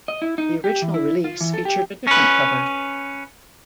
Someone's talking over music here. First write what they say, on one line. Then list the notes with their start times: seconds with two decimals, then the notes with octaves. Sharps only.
The original release featured a different cover.
0.08 D#5
0.22 E4
0.38 D#4
0.64 G4
0.82 E3
0.94 E4
1.24 F4
1.41 E3
1.54 A4
1.65 G4
2.07 C#4 B4